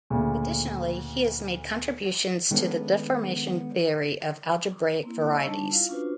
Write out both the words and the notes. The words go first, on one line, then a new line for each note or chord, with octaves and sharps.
Additionally, he has made contributions to the deformation theory of algebraic varieties.
D2 A#2 C#3
D#3 G#3 A3 B3 C#4 D4
A#3 C4 E4
C#5 D#5 A#5 C#6 E6
G3 D4 D#4 A5
E4 F4 F5
C#4 D4 F4 F#4 B4 C5